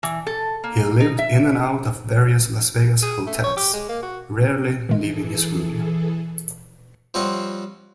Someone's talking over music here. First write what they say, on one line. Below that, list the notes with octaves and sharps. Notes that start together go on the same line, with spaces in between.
He lived in and out of various Las Vegas hotels, rarely leaving his room.
E3
A4
A#3
D#4
E5
G#4
A3
C#5
G4
G#3
A#3
F#4
D#3 E3 G#3 G#4 A4
F3 G3 C4 C#5 D#5 F#5